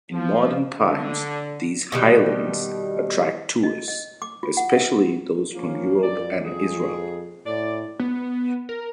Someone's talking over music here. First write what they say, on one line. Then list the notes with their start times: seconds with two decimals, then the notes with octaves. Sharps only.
In modern times, these highlands attract tourists, especially those from Europe and Israel.
0.12 F3
0.79 D3
1.92 B2 D#3 G3
3.63 D#5
3.88 D#5
4.22 D6
4.43 F4
4.57 F#5
4.77 E5
5.55 F3 A#3 C#4
6.02 F2 D5
6.45 G#4
7.46 A2 D5
8.00 B3
8.69 A#4